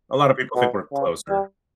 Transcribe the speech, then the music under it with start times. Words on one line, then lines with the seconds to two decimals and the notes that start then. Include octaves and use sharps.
A lotta people think we're closer,
0.55 B2
0.92 C#3
1.29 G3